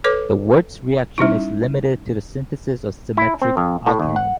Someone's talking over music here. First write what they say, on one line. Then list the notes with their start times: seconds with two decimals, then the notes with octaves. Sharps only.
The Wurtz reaction is limited to the synthesis of symmetric alkanes.
0.04 A4 B4 C#5 D6
1.18 G3 C#4 D#4 E4
3.17 E4
3.42 C4
3.57 F2
3.87 A2
4.00 D#2
4.16 F#5